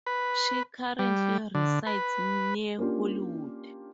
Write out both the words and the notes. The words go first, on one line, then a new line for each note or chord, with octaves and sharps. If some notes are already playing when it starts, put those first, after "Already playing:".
She currently resides near Hollywood.
B4
G3
D3
B4
A#3 C#4 D4 F4 G4